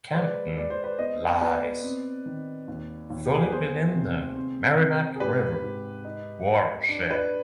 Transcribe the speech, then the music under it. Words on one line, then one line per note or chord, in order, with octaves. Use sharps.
Campton lies fully within the Merrimack River watershed.
C5
G#3 B4 D5
G#3 D5
C5
B4 D5
B3 C5 D#5
B3 B4 D5
C4
D#3
D#2
D#2
G4
G#4
B4
B3 G#4 C5
C3
C4
C3
G#4
G#2 G4 B4
G#2
D#4
D#4
D4
B4 D5